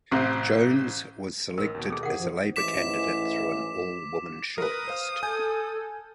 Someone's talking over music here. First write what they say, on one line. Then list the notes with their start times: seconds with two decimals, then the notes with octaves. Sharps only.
Jones was selected as a Labour candidate through an all-women shortlist.
0.11 A1 C3 C4
1.58 A1 A#4
1.75 D#2 B2
1.90 G#4 A4
2.03 C3 D#3 G#4 F5 F#5
2.17 F#2 F3
2.56 A1 G#2 E3 D6 B6 E7
4.58 A#4 B4 D#6
4.88 C5 F5 F6
5.23 A4 G#5 G6